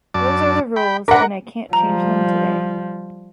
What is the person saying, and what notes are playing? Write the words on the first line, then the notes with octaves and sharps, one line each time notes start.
Those are the rules and I can't change them today.
F#2 D5 A5
G5 B5
D4 A#4 B4 F#5
F3 G3 A#5